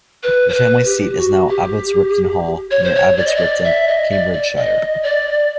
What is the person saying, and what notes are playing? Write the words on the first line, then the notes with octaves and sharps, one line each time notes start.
The family seat, is now Abbots Ripton Hall, near Abbots Ripton, Cambridgeshire.
B4
C5
B4
G4
F#4
G4
C#5
C5
C#5
D5
D#5
D5
E5
D#5
D5
D5
D#5
D5